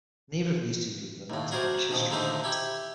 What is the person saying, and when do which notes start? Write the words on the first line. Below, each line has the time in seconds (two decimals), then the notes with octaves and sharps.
Neither of these two people are known to Irish history.
1.30 D#2 A2
1.51 F#4 G#4 A#4 C5 D5
1.91 A#1 D#3 F3
2.10 D#2 A#2 D3 A3 D#4 C5
2.44 E4 G4 E5